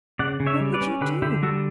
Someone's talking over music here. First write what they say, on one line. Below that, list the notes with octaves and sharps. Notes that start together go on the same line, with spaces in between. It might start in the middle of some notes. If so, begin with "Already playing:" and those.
What would you do?'
C#3 D5 F#5
C#3
C#5 E5
G3
B4 D5
C#4
D3 G4 B4
D3 E4 G4
G3 F#4 A4